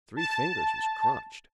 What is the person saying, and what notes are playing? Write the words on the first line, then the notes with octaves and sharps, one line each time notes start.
Three fingers was crunched.
A5